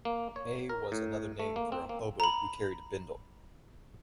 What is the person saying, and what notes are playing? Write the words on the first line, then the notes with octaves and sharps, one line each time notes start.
A was another name for a hobo who carried a bindle.
A#3
C#5
A#4
A2
A3
A#3
C4
A#3
A#5 B5